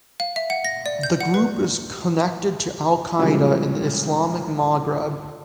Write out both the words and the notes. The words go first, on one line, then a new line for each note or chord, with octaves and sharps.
The group is connected to Al-Qaeda in the Islamic Maghreb.
F5
E5
F#5
A#6
D5
G6
F#5
B4
A#2 C#3 E3 F3 G3 G#3